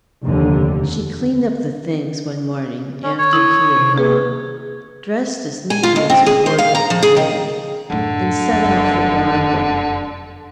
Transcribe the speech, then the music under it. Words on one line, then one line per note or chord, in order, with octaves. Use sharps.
She cleaned up the things one morning after he had gone, dressed as neatly as her wardrobe permitted, and set out for Broadway.
F1 D#2 D3
C#4
C#5
E4 D#6
C3
A#3 G#4 B4
G#5
F4
D#2
C4
G#4
C5
F5
A#5
F3
G#4
D#3
F#2 A2 D3
F2
F1 F#2